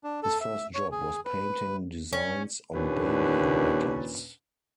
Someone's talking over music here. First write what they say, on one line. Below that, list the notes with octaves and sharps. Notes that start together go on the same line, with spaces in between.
His first job was painting designs on baby rattles.
D4
A4
E5
C#5
G#4
B4
C#4
D#2 A#2 C#4 D4 B4